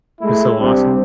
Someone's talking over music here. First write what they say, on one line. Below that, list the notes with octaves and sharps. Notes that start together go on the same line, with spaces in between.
was so awesome.
G#3 A3 E4
G3 C4 D4 G4